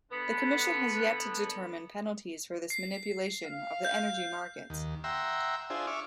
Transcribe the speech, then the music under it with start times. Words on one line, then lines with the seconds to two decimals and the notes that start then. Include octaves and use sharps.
The commission has yet to determine penalties for this manipulation of the energy markets.
0.12 D3 B3
2.70 C7
3.45 F5
3.85 G6
4.70 D#2
5.04 E5 F#5 G5 A#5 C6 E6
5.70 D4 F4 G#4 C5 E5
5.87 E5 C#6 D6 F6